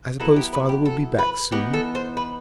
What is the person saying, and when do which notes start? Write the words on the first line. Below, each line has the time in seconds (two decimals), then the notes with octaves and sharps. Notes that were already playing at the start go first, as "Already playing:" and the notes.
'I suppose father will be back soon?'
0.20 F#3 B3 E4 A4
0.36 G4
0.53 B4
0.69 G4
0.86 A4
1.19 B4
1.51 E3 B3 D#4 G4
1.73 A4
1.95 C5
2.17 B4